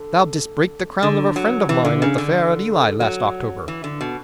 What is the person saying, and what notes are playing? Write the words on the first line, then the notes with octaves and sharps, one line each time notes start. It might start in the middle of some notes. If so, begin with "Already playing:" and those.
Thou didst break the crown of a friend of mine at the fair at Ely last October.
Already playing: D3
D3
F#3
E3
D3
C#3
D3
F#3
E3
D3
B2